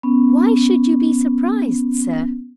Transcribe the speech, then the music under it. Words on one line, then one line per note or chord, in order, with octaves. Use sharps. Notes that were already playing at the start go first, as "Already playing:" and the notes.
"Why should you be surprised, sir?"
B3 C#4